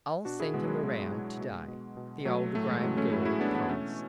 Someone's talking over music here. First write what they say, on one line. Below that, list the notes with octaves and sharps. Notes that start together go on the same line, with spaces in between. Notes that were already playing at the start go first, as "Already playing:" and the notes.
"I'll send him around today," the older Graham girl promised.
B2 D4 F#4
E4 G#4
B2 G#3 B3
F#3
G#3
B2 G#3
B2
B2
B2
B2
B2 F#3 A3
A2 A3
E3 G#3
A2 F#3
E3 A3 C#4
A2 C#4 E4
F#4
E3 E4 G#4
A2 B3 D4
E3 B3 D4
B2 A3 C#4